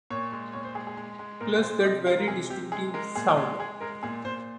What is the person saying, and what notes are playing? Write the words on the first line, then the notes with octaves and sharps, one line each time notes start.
Plus that very distinctive sound.
A#2 C#5
G#3
A#2 C#5
C5
G#3 G#4
G#4
G#3
G#3
A#2 A#4
G#3 C5
C3 D#5
G#3 F5
A#4
C3 G#4
C3 G4
G#3 G#4
G#3 A#4
A#2 G#4
G#3
G#3 G#4
G#3 A#4
A#2 G#4
A#2 C5